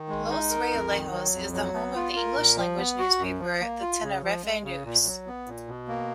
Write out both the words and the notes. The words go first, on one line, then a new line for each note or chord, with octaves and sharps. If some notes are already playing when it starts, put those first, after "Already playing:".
Los Realejos is the home of English language newspaper the Tenerife News.
Already playing: D#3
G#3
D#4
A#4
F2
D#3
F#3
F2
F#3
B3
F4
A#4
A#2
F3
B3
F#4
F#2
F3
A#3
F4
C#3
F3
G#3
C#3
A#2
F#3
B3
A#2
B2
A#3